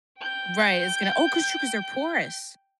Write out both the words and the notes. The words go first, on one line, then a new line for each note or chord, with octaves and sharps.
Right, it's gonna Oh, 'cause True, 'cause they're porous.
G5 G6